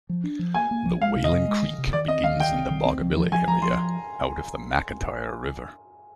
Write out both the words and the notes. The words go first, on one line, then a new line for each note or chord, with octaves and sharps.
The Whalan Creek begins in the Boggabilla area, out of the McIntyre River.
F3
D4
F3
A#3 G#5
A#3
F3
G#3 F5
C3
D#5
C3
G#3
D#3
C3
D#3 D5
C4 D#5
D#3 F5
D#3 G5
C4
D#3
C4
F3
F3
F3 G#5
F3 A#5
F3 C6